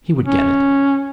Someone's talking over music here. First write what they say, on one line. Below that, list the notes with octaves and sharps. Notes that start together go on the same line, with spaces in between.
He would get it.
C#4